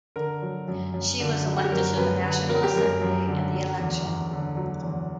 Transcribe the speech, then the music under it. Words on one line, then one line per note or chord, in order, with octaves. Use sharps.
She was elected to the National Assembly in the election.
D3 A#4
F#3
F#2
F#2
D3
F#3
F#4
G4
F#2 A#4
F#2 B4
D3 B4
F#3 A#4
G4
F#2 A#4
F#2
D3
F#3
E2
E2
D3
F#3
E2